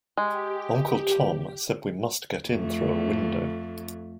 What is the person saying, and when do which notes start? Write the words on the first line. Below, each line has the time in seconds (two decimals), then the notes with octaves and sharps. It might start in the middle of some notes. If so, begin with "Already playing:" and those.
Uncle Tom said we must get in through a window.
0.17 G#3 G4
2.48 F2 A3